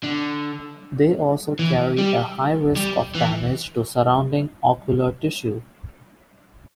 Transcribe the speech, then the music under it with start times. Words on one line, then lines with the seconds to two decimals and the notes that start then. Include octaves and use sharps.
They also carry a high risk of damage to surrounding ocular tissue.
0.03 D3
1.59 E3
1.99 G3
2.76 G3
3.15 E3